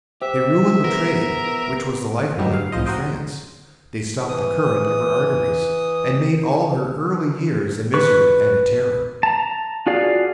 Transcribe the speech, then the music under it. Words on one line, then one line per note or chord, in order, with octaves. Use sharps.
They ruined the trade which was the life-blood of New France; they stopped the current of her arteries, and made all her early years a misery and a terror.
G4 C5 E5
B3 A#4
F#2 A2 D3 F#3 G3 D#4
F5
C2 F3 C5 D#5
F#4 A#4 C5 D#5 G5
E3 D#6
B4 C#6
A5 A#5
F4 F#4 G#4 D5 F5